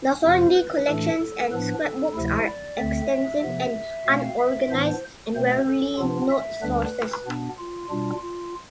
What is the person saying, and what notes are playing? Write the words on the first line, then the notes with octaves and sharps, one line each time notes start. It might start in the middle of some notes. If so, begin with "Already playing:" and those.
The Hornby collections and scrapbooks are extensive and unorganised, and rarely note sources.
F2 C3 F3 C5
B4
A2 E3 A3 D4 A4
A4
A2 F3 B3 D4 B4
A4
D2 C3 F3 A3 E4
D5
D2 D3 A3 C4 E5
C3 F3 B3
B2 A3 C4 F5
E5
A2 E3 B3 D4 C5
B2 A3 C4 C5
A4
C3 F3 B3 D4 F4
E5
D2 D3 G3 B3 D4 B4
B2 B3 D4
F4
B2 G3 D4 F4
F4